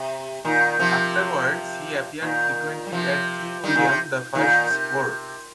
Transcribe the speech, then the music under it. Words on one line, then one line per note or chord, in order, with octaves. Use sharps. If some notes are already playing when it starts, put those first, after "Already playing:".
Afterwards, he appeared frequently at King William the First's court.
Already playing: C3
A#2 D#3
C3 F3
A#2 D#3
G3
C3 F3
D#3 G3
A#2 D#3
C3
A#2 D#3
C3